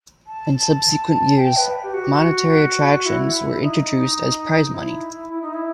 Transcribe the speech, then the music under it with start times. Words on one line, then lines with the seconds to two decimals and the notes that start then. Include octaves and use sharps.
In subsequent years monetary attractions were introduced as prize money.
0.27 A5
1.38 G5
1.57 B4
1.83 G4
1.94 F#4
3.06 E4
3.61 D#4
4.73 E4
5.29 E4
5.42 D#4
5.54 E4